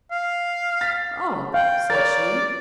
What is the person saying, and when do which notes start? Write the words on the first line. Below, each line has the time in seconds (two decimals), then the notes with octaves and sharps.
"Oh!" said she.
0.11 F5
0.81 A6 B6
1.54 F5 G5
1.90 A#4 C#5 D5 A6